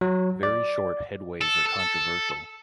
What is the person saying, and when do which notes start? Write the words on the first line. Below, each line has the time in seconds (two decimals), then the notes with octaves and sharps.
Very short headways are controversial.
0.01 F#3
0.43 D5
1.41 A4
1.66 A4